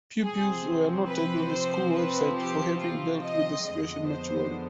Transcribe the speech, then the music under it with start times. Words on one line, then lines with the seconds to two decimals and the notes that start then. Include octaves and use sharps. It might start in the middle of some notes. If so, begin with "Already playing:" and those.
Pupils were noted on the school's website for having dealt with the situation maturely.
0.23 C3 F3 C4 G#4
1.09 B4
1.51 C5
1.94 B4
2.37 G4
2.80 F4
3.23 D#5
3.66 F2 D3 F3 G#3 B3 D#5
4.09 C5